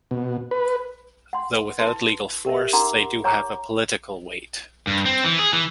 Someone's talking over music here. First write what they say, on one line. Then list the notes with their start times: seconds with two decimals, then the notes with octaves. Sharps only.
Though without legal force, they do have a political weight.
0.11 B2
0.51 B4
1.33 F#5 C6
1.51 B4
1.79 E4 B4 A5 C6
2.45 G4 A#4 E5
2.73 D#4 A#4 F#5 A#5 C6 D6
3.24 C#5 F#5 G#5 A#5 C#6 D6
4.87 G2
5.06 C4
5.24 E3
5.39 G#4
5.53 E3